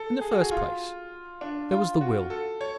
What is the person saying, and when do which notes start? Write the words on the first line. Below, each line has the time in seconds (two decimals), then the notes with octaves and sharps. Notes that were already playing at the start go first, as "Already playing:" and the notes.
In the first place, there was the will.
Already playing: A4
0.21 G#4
0.31 F#4
0.41 G#4
0.51 F4
1.41 D4
1.71 F4
2.01 F#4
2.30 A4
2.61 C#5